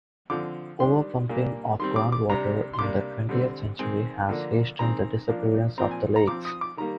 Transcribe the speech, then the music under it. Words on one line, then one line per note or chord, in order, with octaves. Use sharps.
Over-pumping of groundwater in the twentieth century has hastened the disappearance of the lakes.
D3 F3 C4 D6
D#3 G3 D4 C6
A#2 G3 A#3 D4
D#3 G3 C4 C6
D6
D6
C3 G3 D4 A#5
C6
C3 G3 A#3 D4 D6
D3 G3 C4
D#3 G#3 C4
D3 F3 A#3 D4
D#3 G#3 C4 A#5
F3 A#3 D4
A#2 F3 C4 A#5
G#5
A#5
F3 C4 D6
D#6
D6
D#3 G3 A#3 A#5